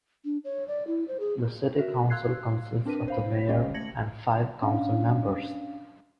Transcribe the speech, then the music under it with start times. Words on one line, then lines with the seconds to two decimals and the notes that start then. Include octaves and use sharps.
The city council consists of the mayor and five council members.
0.25 D4
0.45 C#5
0.68 D5
0.87 E4
1.08 C5
1.20 G#4
1.78 F#4 A#4 E5
2.10 F5 C6 E6 F#6 G#6 C7
2.85 C4 D4 A#4 B4 D#7
3.08 C5 F5 B5
3.48 G#3 C#4 G4 D#5 F5 G5
3.74 A3 G#6 A#6 C#7 F#7
4.62 C#4 D4 F5